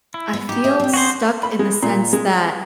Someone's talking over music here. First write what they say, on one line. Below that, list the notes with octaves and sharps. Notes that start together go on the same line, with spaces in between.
I feel stuck in the sense that
E4
B3
D#4 F#4 G4
D#5 E5
B3 C4
F#4 G#4 C5
B5
G#3
A#2
G#3